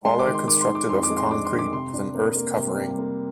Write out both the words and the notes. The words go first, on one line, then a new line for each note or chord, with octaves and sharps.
All are constructed of concrete with an earth covering.
G#3 C6
D6
D#3
C6
D#3 D6
C6
D#3
D6
F2 C6
D6
G#3
C6
D4 D6
C6
D#3
D6
C3 C6
D4
A#3
A#3
C3
G3
A#3